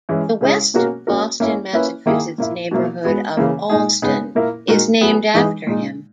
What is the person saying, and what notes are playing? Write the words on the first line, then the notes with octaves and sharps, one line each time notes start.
The west Boston, Massachusetts neighborhood of Allston is named after him.
E3 G#3 C#4 E4
C#3 G#3 C#4 E4 G#4
B2 A#3 C#4 F#4 A#4
A#3 C#4 F#4 A#4
A#3 C#4 E4
A#3 C#4 E4 B4
D#3 A#3 E4 G#4
A#2 A#3 E4
B2 F#3 A#3 E4
G#3 B3 F#4
C#3 E3 A#3
A#2 G#3 D#4 G#4
C#3 G#3 B3 D#4 G#4
A#2 A#3 E4 A#4
A#2 G#3 D#4 F#4 A#4
F#3 B3 E4 G#4
E3 G#3 D#4 G#4 B4
A#2 G#3 D#4